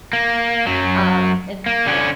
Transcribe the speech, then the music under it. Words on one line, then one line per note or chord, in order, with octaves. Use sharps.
um, and so
A#3
F#2 F#3
A#3
D3 C#4